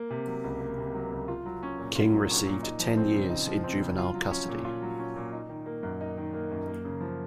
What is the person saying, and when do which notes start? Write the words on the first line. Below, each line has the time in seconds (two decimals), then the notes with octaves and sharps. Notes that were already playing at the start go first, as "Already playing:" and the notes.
King received ten years in juvenile custody.
Already playing: A#3
0.10 C3
0.27 F#3
0.44 C#2
0.60 A#3
0.78 C3
0.95 F#3
1.12 C#2
1.28 F4
1.45 F#3
1.63 C#4
1.78 A#2
1.95 F4
2.12 F#3
2.30 C#4
2.47 A#2
2.63 D#4
2.79 F3
2.97 C4
3.13 C#3
3.30 D#4
3.47 F3
3.64 C4
3.81 C#3
3.98 F4
4.14 F#3
4.31 C#4
4.49 A#2
4.65 F4
4.82 F#3
4.99 C#4
5.16 A#2
5.33 D#4
5.49 D#3
5.66 A#3
5.83 F#2
6.01 D#4
6.18 D#3
6.34 A#3
6.51 F#2
6.67 A#3
6.85 C#3
7.01 F3